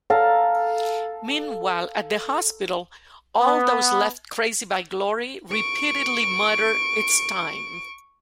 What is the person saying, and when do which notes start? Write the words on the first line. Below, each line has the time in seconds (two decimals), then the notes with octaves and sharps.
Meanwhile, at the hospital, all those left crazy by Glory repeatedly mutter, It's time.
0.10 A4 F5 A#5
3.41 B3
5.51 C#6 D7